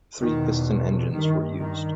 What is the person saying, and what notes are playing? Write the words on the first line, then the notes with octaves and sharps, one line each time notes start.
Three piston engines were used.
E2 B2 D#3
G2 D#3
D#3